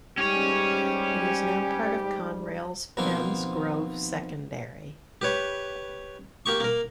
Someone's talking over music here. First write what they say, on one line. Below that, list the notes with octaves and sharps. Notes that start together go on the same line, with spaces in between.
It is now part of Conrail's Penns Grove Secondary.
G#2 G3 C#4 G4 C#5
B2 D#3 F3 A#3 C4
G4 B4 C#5
A#3 G4 C#6
A#3 A#4